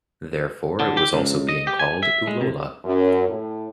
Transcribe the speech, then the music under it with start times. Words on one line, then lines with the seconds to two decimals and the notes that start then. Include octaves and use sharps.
Therefore, it was also being called "Ullola".
0.80 D3
0.97 G4
1.13 C#2
1.49 D#5
1.67 G4
1.79 G#5
2.03 E5
2.27 G#3
2.41 C3
2.84 F#2
3.29 A2